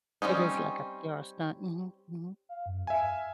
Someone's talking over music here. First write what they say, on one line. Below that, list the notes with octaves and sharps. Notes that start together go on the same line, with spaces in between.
It is, like, a PR stunt. Mhm, mhm.
G3 C4 C#4 D#4
F5
F#2
E5 F5 G#5